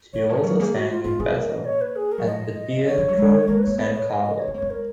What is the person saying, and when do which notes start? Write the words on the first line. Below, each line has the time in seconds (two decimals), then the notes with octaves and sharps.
She also sang in Basle at the Teatro San Carlo.
0.13 D#3 C#5
0.29 F3
0.36 G#4
0.43 F#3 A#4
0.59 A#3 G#4
0.75 F#4
0.90 F4
1.04 B3 F4
1.20 B3 G#4
1.35 A#3 A#4
1.50 D#5
1.65 C#5
1.81 B4
1.96 G#4
2.12 A#4
2.18 F#3
2.26 F3 D#5
2.87 D#3 C#5
2.97 F3
3.08 F#3
3.17 G#3
3.48 A#3 A#4
3.58 B4
3.64 A#3 C#5
3.78 B3 C#5
3.94 C#5
4.10 D#5
4.24 D#5
4.39 C#5
4.48 B3
4.54 A#3 C#5
4.62 B3
4.70 A#4